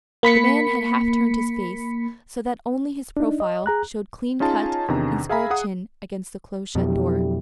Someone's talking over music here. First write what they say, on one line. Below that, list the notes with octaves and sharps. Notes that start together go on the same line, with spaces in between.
The man had half turned his face so that only his profile showed clean-cut and square-chinned against the close-shut door.
A#3 B5 B6 C#7
D4 D#4
D#5
G#4 A#5 F#6
C#4 D#4 F4 G#4 A5
E2 C3 D#3 D4 A#5
G#4 E5 F5 G#5 A#5 B5
G#4 F#5 D#6
F2 B2 D3 F#3 E4 G4